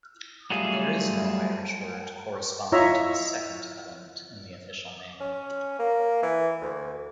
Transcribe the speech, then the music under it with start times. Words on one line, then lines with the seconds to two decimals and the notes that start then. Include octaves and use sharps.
There is no Irish word corresponding to the second element in the official name.
0.50 F#3 G3 A3 F4 G#4
2.72 E4 F4 C#5 D#5 E5 A#5
5.21 C#4
5.79 A#3
6.23 E3
6.62 D2